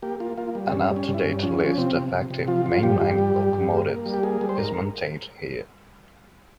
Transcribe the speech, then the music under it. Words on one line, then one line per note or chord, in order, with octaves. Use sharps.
An up-to-date list of active mainline locomotives is maintained here.
A#3 G4
A#3 F4
A#3 F4
G3
C4
G2 C#4
G3
C#4
G2
E4
C#4
G2
F3 C#4
F3
C#4
C3 C4
C3
C3
C3
F3 F4
F3
F4
G2 G4
G2
G3
G2
G2
A#3
A#3
G3
G4
A#3 G#4
G3
C5
G#2 A#4